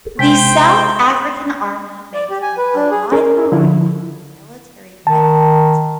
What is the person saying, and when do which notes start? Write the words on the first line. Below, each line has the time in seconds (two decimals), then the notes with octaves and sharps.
The South African Army maintains a wide variety of military equipment.
0.19 C3 G#3 C5 G5
2.13 D5
2.30 G4
2.42 G#5
2.58 B4
2.75 D4
2.91 G#4
3.12 C#4 G#4 A#4
3.52 D3 F3 E4
5.07 D#3 A5